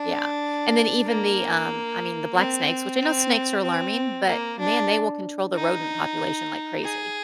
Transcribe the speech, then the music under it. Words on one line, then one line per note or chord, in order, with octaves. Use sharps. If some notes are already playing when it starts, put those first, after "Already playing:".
Yeah. And, then, even the um, I mean, the black snakes which I know snakes are alarming, but, man, they will control the rodent population like crazy.
Already playing: D4
A#3
C4
C4
C4
A#3
D4
D#4
G#4